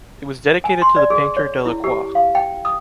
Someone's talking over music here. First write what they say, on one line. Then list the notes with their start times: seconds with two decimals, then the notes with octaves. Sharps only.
It was dedicated to the painter Delacroix.
0.64 G#5
0.82 C6
0.96 D5
1.10 G#4
1.37 C#5
1.66 E4
1.84 G4
2.15 F5
2.35 G5
2.65 D#6